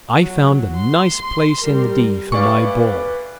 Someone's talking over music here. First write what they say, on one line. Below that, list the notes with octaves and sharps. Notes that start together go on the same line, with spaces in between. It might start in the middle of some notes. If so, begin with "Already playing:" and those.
I found a nice place in the "D" for my ball.
F#3
C6
G3 A#4
D2 B4 D5 F5 C#6